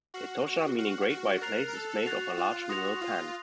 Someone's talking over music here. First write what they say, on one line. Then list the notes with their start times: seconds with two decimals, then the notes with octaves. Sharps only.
Etosha, meaning 'Great White Place' is made of a large mineral pan.
0.14 F#4 F6 C7 F#7
0.46 F#4
0.78 F#4 F6 C7 F#7
1.10 F#4
1.41 A#4 F#6 A6 C7 F7
1.74 A4
2.06 F#4 F#6 A6 C7 F7
2.38 F4
2.69 F#4 C6 D#6 A#6 F7
3.01 F4